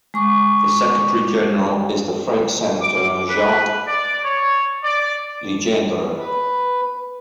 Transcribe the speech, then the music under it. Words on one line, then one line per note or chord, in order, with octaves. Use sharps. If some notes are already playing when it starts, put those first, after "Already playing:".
The Secretary General is the French senator Jacques Legendre.
G#3 C#6 D6
D6
B4
D5
C#5
D5
B4